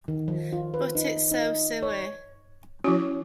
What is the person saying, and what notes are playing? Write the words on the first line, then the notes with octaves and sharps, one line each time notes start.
But it's so silly!
D#3
F3
F4
B4
D#4
D#4
C#5
F3 C#4 E4 F#4